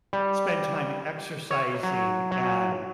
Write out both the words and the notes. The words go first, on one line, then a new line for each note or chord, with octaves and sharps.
spend time exercising and,
G3
C#5
F#3
F#3